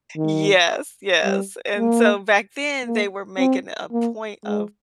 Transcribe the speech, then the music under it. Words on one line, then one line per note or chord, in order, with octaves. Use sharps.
Yes, yes, and so, back then, they were making a point of,
D#3
G3
A#3
A#3
C4
A#3
G#3